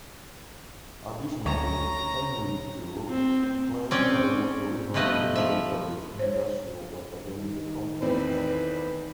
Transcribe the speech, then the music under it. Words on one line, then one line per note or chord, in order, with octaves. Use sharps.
Additionally, Henry Giroux claims that it was originally "military-industrial-academic complex".
D2 C#5 A#5
C4
C4 C#4 D5 G5
B2 F3 A3 B4 D#5
F3 E5
C5 C#5
D#3
E2 A2 C4 B4